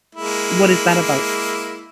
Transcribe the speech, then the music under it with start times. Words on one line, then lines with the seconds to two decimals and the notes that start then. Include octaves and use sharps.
What is that about?
0.15 G#3 A#3 E4